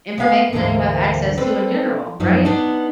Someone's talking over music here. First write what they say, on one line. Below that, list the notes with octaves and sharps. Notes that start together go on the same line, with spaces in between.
information that you have access to in general, right?
A#3 B3 B4 E5 F5 G#5
D2 G#2 D3 E3 A#3 F5
C4 D4 A4 B4
F#2 F3 F#3 D#4
B3 D4 D#4